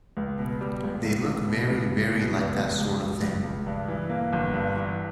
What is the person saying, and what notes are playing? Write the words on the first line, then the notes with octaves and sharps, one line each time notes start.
They look very, very like that sort of thing.
C#2
B2
G3
C#2
C#2
C#2
B2
C#2
C#2
B2
C#2
C#2
C#2
C#2
C#2
C#2
G2
E3
A#3
G1
G2
E3